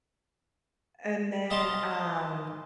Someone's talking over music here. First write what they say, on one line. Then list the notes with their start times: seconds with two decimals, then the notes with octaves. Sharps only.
And then, um,
1.50 D#5 F5 A5 C6